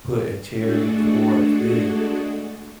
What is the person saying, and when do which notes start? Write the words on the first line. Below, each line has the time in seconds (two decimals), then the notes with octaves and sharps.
putting charity towards this,
0.55 G#3 A3 D4 F#4 G#4 A4